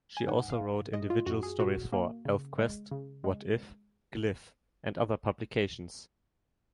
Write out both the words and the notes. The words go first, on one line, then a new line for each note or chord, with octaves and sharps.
She also wrote individual stories for "Elfquest", "What If", "Glyph" and other publications.
G#5
G#2 F#5
F5
G#2
G#3 D#5
F4
F#2 F#4
G#4
A#2 F#4
A#3
C#3
G#3
C#3
G#3